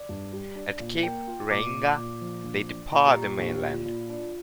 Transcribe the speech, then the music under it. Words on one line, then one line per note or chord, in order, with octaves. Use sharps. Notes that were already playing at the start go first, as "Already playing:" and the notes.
At Cape Reinga they depart the mainland.
Already playing: D5
G2
G3
D4
A#2
A#3 G5
F4
A#2 D6
A#2
A#2
F3
A#1
D4
A#2 A#5
G4
A#2
G4
A#1 G4
A#2
F4
A#2
D4